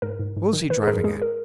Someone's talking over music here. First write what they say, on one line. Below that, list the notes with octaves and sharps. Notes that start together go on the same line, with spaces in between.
What was he driving at?
G#2 A#4
G#2
G#2
D#3
D#3 B4
G#4
G#2 A#4
G#3 G#4
A#4